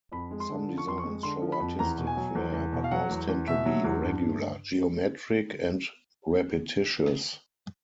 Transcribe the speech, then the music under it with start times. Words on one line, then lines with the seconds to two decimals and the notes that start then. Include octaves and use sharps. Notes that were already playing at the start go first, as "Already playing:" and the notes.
Some designs show artistic flair, but most tend to be regular, geometric, and repetitious.
0.12 F2 B5
0.31 G#3
0.40 C6
0.49 D3
0.68 F3
0.78 C#6
0.87 F2 C6
0.98 C#6
1.04 G#3
1.23 D3 C6
1.42 F3
1.52 B5
1.60 F2
1.79 E2 A#5
1.98 B2
2.07 G#5
2.17 F#3
2.35 E2
2.53 E2
2.72 B2
2.84 F5
2.91 F#3 F#5
3.10 E2
3.28 E2
3.47 B2 E5
3.65 F#3
3.84 E2
4.03 G2